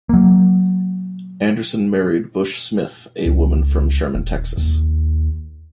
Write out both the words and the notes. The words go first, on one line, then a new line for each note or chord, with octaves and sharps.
Anderson married Bush Smith, a woman from Sherman, Texas.
F#3 A#3
C#2
D#1
D#2